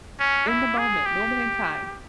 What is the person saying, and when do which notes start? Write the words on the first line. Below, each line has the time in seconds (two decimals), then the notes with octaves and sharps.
In the moment, moment in time.
0.20 C#4
0.48 E4
0.78 G#4
1.06 G4